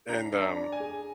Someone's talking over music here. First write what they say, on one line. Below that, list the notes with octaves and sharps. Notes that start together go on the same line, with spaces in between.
and, um,
D4 A#5
D4
A#5
D5
G#5
G#4